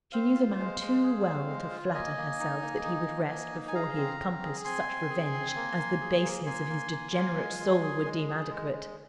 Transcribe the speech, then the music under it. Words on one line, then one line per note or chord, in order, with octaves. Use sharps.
She knew the man too well to flatter herself that he would rest before he had compassed such revenge as the baseness of his degenerate soul would deem adequate.
C4 C5 F5
F4
G#3
G#3
G#4
C4
G#3
F4
A#3 D#5 G#5
A#3
D#4
A#3
D#4
A#3
A#3
D#4
G#5
G#4 F5 A#5
C4
C4
G#4
C4 G#5 C6
C4
G#4
C4
A#3
A#3
G#4
A#3
A#3 G#5 C6
A#3
A#3
F4
G#3
G#3
G#4
G#3
G#4
G#3
G#3